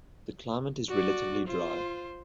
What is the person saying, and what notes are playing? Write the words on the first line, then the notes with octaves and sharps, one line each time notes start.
The climate is relatively dry.
F#4 D5
F4 C5